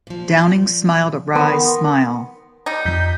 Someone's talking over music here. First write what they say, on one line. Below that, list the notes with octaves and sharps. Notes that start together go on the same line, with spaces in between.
Downing smiled a wry smile.
A#2 F3
D#3 B3 A#4 C6
G3 D#4
F2 G6 B6